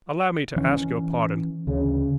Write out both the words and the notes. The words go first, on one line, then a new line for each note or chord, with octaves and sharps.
Allow me to ask your pardon.
E3 C#4
D2 C#3